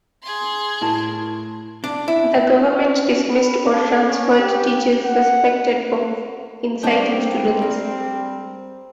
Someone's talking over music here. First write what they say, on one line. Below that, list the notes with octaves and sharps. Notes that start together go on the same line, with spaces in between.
The government dismissed or transferred teachers suspected of inciting students.
G#4 C6
A2 A#4 A5
D4
E4
B4
A4
C#4
G4
F#5
G3 A3 C4 D4 G5
A#4